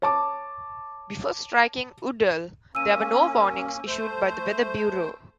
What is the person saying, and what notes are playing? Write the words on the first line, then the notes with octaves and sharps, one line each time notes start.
Before striking Udall, there were no warnings issued by the Weather Bureau.
C#5 A5 D6
A#3 C#4 E6 D#7
A3 C5